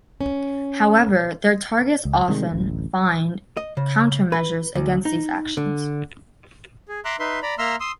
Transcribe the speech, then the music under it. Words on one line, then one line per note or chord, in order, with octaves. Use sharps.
However, their targets often find countermeasures against these actions.
C#4
C#2
C3 D#3 G3 G#3
D1 A1
D#5
C#3
B4
D2
D#4
D3
G#4
E5 A#5 C6 D6 E6 F#6
D#4 B4 E5 C6
D5 A#5 B5
A#3 E5 A#5 C6 E6 F6
C6 D#6 E6